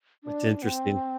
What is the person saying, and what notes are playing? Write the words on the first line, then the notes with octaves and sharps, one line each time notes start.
It's interesting.
D4
B3
C4